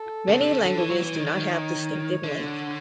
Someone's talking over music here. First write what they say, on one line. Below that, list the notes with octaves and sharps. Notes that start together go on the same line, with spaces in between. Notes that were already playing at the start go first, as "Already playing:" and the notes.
Many languages do not have distinctive length.
Already playing: A4
C#3
C3
C#3
D3
E3 C#5
F#3
E3
D#3
D#3
D3